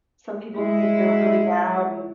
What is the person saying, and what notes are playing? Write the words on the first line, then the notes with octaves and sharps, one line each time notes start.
some people think they're really loud and
G#3 E4